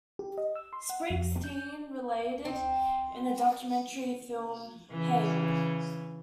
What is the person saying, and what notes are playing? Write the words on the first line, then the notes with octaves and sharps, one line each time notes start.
Springsteen related in the documentary film Hail!
G4
D#5
E6
C6
F#5
F2
G6
C4
C#3 E3